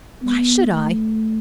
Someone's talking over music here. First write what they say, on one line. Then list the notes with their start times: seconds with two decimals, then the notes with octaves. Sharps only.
"Why should I?"
0.22 B3
0.71 A3